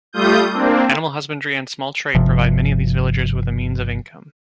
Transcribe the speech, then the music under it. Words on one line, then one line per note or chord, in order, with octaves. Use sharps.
Animal husbandry and small-trade provide many of these villagers with a means of income.
G3 A3 F4 D#6 G6
A#3 C4 D4
G1 C3 F3